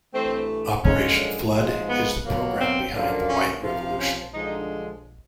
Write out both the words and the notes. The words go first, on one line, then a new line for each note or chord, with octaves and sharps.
Operation Flood is the program behind the white revolution.
G2 E3 A3 C4
F#2 D3 F3 G#3 C#4
G#2 F3 G#3
B3
B2 F#3 A#3
C4
F#2 D3 F3 A#3
C#4
C3 F3 A#3
C#4
G2 D3 F3 G#3 D#4